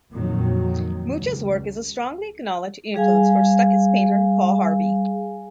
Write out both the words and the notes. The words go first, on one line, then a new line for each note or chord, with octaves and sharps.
Mucha's work is a strongly acknowledged influence for Stuckist painter Paul Harvey.
F2 A#2 D#3 F#3
C#2
G3 G#4 F5 G#5